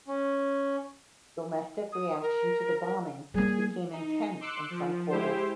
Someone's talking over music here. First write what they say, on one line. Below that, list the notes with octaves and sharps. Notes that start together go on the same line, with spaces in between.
Domestic reaction to the bombing became intense in some quarters.
C#4
D#6
A#4
G3 A#3 G#4
D#4
C6 D6 E6 F#6 C#7
F3
G#3 E4 G4 C5